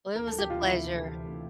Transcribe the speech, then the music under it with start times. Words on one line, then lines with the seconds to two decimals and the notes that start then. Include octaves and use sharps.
Oh, it was a pleasure.
0.15 D2 C3 E3 A#4
0.27 A4
0.39 G4
0.50 F4
0.61 E4